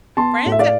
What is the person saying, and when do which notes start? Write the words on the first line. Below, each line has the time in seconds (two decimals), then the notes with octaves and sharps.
Friends and
0.17 B3 A5 C6
0.46 A2
0.52 E5
0.59 D5 F5